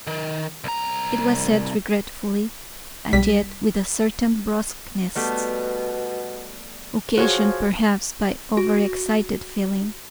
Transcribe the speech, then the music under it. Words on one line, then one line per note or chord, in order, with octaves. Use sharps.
It was said regretfully, and yet with a certain brusqueness, occasioned perhaps by over-excited feeling.
D#3
C2 A#5
B1 G3 B6
B2 G3 A3 B3
F3 F#4 G#4 C#5
F#4